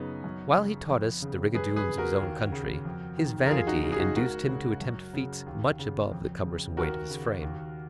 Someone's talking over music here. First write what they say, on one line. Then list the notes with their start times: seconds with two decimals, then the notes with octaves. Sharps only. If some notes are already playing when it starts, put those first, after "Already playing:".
While he taught us the rigadoons of his own country, his vanity induced him to attempt feats much above the cumbrous weight of his frame.
Already playing: F#2 C#3 B3 D#4
0.24 F#2
0.56 C#3
0.89 F2
1.22 C#3
1.55 F#2 G#4 B4
1.76 G#4 B4
1.87 C#3
1.98 F#4 A#4
2.20 D#2
2.52 C#3
2.85 F2
3.18 D#3
3.46 A#4
3.51 F2 F4 G#4
3.67 D#4 F#4
3.83 C#3
3.92 G#4
4.00 D#4 F#4
4.16 C#2 F#4 A#4
4.48 C#3
4.81 F#2
5.13 C#3
5.46 D#2
5.79 C#3
6.12 F2
6.44 C#3
6.77 D#2 F#4 A#4
7.10 C#3
7.42 D#2